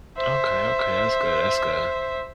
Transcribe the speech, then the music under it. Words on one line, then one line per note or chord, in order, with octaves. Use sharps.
Okay, okay, that's good, that's good,
C5 E5